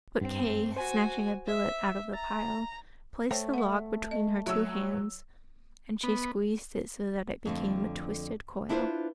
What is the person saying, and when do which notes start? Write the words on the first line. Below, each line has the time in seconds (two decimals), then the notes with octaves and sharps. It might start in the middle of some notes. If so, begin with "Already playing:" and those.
But Kay, snatching a billet out of the pile, placed the log between her two hands, and she squeezed it so that it became a twisted coil.
0.21 G2 C4
0.77 F#4 C5 G#5
1.46 E5
2.13 A#5 A6
3.31 A3 C5 C#5 G5
3.54 E5 F#5
4.11 D#5
4.46 F#3 C#5 E5 E6
6.04 B3
7.45 F2 D3 A3
8.69 D4 E4 F4 A4 B4 C5